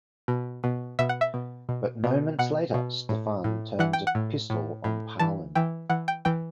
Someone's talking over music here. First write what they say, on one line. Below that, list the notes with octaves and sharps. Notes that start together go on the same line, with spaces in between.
But moments later Stefan turns a pistol on Pahlen.
B2
B2
B2 E5
F#5
E5
B2
B2
B2
B2 F#5
B2
A2
A2
E3 F#5
G5
F#5
A2
A2
A2
E3 A5
E3 G5
E3 F#5
G5
E3 G5